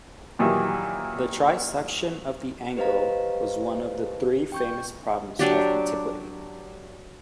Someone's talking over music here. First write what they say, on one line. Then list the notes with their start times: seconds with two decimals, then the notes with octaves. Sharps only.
The trisection of the angle was one of the three famous problems of antiquity.
0.39 A#2 D#3 E3 F#3 G3 A#3
2.77 G4 B4 C5 D#5 F5 A#5
4.52 G5 C#6 G6
5.39 F#3 D4 G4